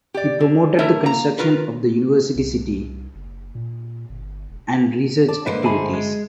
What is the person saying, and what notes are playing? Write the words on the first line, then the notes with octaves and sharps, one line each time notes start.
He promoted the construction of the University City and research activities.
G4 D5
D3
A3 E4 A#4 E5
A#3 A#5
F4 A#4 B4
C2
F#1
A#2
G1
E1
D5 A5
G#2 D3 A#3 D4 B4 C5
G1 D#4 G#4 E5 A5 B5
G#3